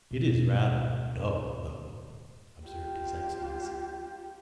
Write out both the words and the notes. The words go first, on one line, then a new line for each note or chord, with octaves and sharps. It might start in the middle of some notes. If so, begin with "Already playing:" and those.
"It is rather dull, though," observed his Excellency.
B2 G#3
F4 G4